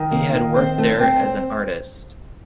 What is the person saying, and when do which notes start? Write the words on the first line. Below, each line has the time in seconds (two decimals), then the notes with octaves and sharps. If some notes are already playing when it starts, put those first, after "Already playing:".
He had worked there as an artist.
Already playing: D#3
0.11 A#3
0.34 D#3
0.56 C4 C5
0.78 A3
1.00 C4
1.23 C4